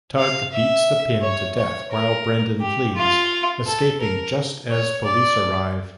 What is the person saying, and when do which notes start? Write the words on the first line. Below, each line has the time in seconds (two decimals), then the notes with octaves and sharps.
Tug beats The Pin to death while Brendan flees, escaping just as police arrive.
0.18 F5
0.52 E5
1.22 C#5
1.58 C#5
1.92 A#4
2.61 G4
2.96 F4
3.66 A4
4.01 A#4
4.71 C#5
5.05 D5